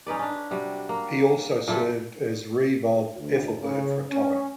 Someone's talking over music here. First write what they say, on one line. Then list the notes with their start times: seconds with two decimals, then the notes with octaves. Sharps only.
He also served as reeve of Ethelbert for a time.
0.07 C#4 D#4 B4 D5
0.19 C#4 D4
0.51 C3 G3 F#4
0.89 A#3
1.68 A#2 E4 A4 B4
3.19 D2
3.60 C#3
4.10 C#4